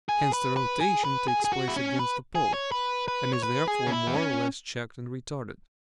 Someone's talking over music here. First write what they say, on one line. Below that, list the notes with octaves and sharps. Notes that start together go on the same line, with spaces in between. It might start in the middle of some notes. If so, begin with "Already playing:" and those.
Hence the rotation takes place against a pull, and is therefore more or less checked and retarded.
G#4
B4
B4
G#4
B4
G#4
G#4
F#4
E4
C#4
B4
G#4
C#5
B4
B4
C#5
B4
G#4
C#4
E4
B3
C#4